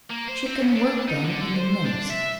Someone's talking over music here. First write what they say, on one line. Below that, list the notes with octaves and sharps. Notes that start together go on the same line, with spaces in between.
"She can work then--in the mills."
A#3
C5
C4
C#3
D4
D#4
D3
D3
C5
D4
E5